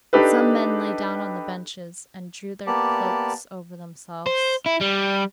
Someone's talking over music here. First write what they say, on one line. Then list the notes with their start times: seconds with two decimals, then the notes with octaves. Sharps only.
But some men lay down on the benches and drew their cloaks over themselves.
0.13 D4 D#4 G4 A4 B4
2.67 A#3 B3 G4 D5 A5
4.27 C5
4.66 E4
4.81 G3